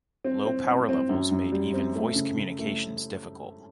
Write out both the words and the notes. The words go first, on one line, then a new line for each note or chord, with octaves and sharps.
Low power levels made even voice communications difficult.
C4
C4
C4
C4
F#2
F#2
G3
C4
A3
C#3
C#3
A3